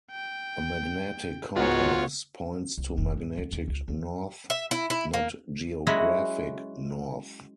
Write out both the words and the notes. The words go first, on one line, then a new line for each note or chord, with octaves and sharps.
A magnetic compass points to magnetic north, not geographic north.
G5
C#2 G#2 B3 F4 F#4 C#5
C2
F1
G#2
D2
D#2
C#2
D2
E5
E4
E4
A#3
F#3 G#3 C#4 E4 F#4